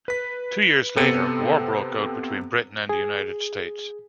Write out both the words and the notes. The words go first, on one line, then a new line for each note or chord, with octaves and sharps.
Two years later, war broke out between Britain and the United States.
B4 B6
C3 B3 C4 A4 C#7 D#7
G#4